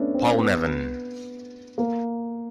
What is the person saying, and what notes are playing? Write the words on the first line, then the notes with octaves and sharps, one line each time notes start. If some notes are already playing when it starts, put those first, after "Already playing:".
Paul Nevin.
Already playing: A3 B3 C#4 D4
C4
B3
A#3